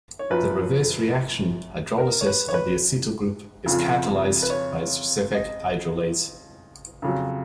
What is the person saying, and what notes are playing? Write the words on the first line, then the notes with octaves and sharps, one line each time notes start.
The reverse reaction, hydrolysis of the acetyl group, is catalyzed by a specific hydrolase.
C#5
F#2 F3 B4
A#4
C#5
B4
C#5
B4
F2 C#3 F3
B4
C#5
D#5
F2 C#3 F#3